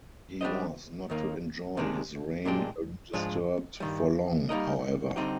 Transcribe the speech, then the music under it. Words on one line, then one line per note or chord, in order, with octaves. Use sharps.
He was not to enjoy his reign undisturbed for long, however.
G3 D4 G4 C5 D#5
D#2 D#3 A#3
C3 D#3 G#3 D4
A#2 G#3 D4 G4
G#2 F3 G#3 D4 F4
G2 D#3 G3
G3 A#3 D#4 A#4 D#5
D3 G3 C4 D#4 G4